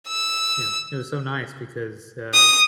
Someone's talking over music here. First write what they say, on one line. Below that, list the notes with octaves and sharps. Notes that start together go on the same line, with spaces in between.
you know, it was so nice because, uh,
E6
D#6